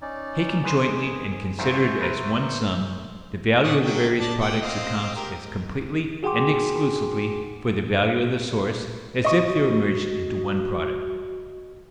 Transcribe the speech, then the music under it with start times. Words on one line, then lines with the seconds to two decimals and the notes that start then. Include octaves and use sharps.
Taken jointly and considered as one sum, the value of the various products accounts as completely and exclusively for the value of the source as if they were merged into one product.
0.02 C#4 D#4 D5
0.64 D#3 G#4 B4 C5
1.59 G1 E2 G#2 C5 E5 C#6
2.01 A#4 B4
3.64 D5 C#6 D#6
3.82 F#3 A3 G5
4.20 D5 A5
4.40 F#5 G5
4.62 C4 D#5 F5
5.16 G4 A#4
6.23 F#4 G#4 F#5 G5 C6 D6
9.25 F#4 D#5 C#6